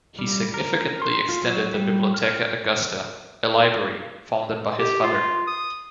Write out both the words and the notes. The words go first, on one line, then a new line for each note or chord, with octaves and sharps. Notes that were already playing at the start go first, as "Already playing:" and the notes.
He significantly extended the Bibliotheca Augusta, a library founded by his father.
G3
A#4
C6
F4
F#3
G3
F6
G4
F4
D#6